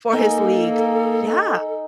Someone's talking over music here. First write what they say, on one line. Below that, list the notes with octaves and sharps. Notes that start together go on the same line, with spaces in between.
for his league. Yeah.
A#3 D#4 A4 D#5 G#5